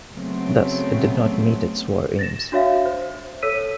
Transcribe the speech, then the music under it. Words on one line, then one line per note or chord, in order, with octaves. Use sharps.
Thus, it did not meet its war aims.
C#3 F#3 A3 B3 C4
A6 A#6 E7
D4 F#4 C#5 E5 F5
C5
A4 C#5 E6 B6 D#7